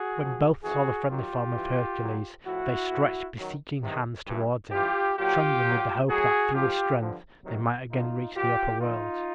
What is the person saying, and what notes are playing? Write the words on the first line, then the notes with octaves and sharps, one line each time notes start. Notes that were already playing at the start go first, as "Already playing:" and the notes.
When both saw the friendly form of Hercules they stretched beseeching hands towards him, trembling with the hope that through his strength they might again reach the upper world.
Already playing: F#4 G#4
G#2 F3
F2 C3 E3 F#4 G#4
F#2 D#3 F#3 F4 G4
G2 E3
A#2 F#3
A2 F3 E4 F#4
A2
F#3
F#2 D#3 F#3
E2 C3 D#3
G2 E3
G2 E3 F4 G4
A#2 F#3 F4 G4
A#2 F#3
A2 F#3 F#4 G#4
G#2 F3 F4 G4
G2 D3 F3
F2 C3 D#3 F#3
F#2 D3 F3 D#4 F4
A#2 F3 F4 G4
F#2 D3 F3 D#4 F4